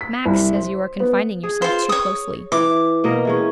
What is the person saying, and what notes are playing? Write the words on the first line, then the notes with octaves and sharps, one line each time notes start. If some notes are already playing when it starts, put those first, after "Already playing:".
Max says you are confining yourself too closely.
B6
C2
C5
B3
G#4
F4 C5
C#5 D#6
E3 D6
B2 A#3 D#5
E3 G#3 C#4